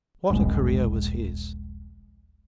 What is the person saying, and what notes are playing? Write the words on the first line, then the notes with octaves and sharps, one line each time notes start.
What a career was his!
D#1 A#1 G#3